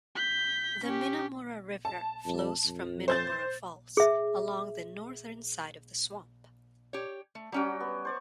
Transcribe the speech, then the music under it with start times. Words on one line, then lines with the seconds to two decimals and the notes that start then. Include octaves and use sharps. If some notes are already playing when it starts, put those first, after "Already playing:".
The Minnamurra River flows from Minnamurra Falls along the northern side of the swamp.
0.16 G6 B6
0.84 C#4 G4
1.85 A5
2.26 F2
2.65 F2
3.08 C5 G6 A6
3.97 G#4 E5
6.93 G4 C#5
7.35 A3
7.52 F#3 G3 C#4 F#4 G4
7.80 B3
8.05 C5 D5 C#6